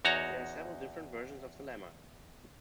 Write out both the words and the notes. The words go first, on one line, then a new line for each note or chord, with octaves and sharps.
There are several different versions of the lemma.
E2 D#4 F#4 C#5 A#5